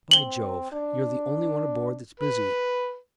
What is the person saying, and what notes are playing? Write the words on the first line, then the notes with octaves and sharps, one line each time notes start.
By Jove! you're the only one aboard that's busy.
C4 F#7 G7
D4
B4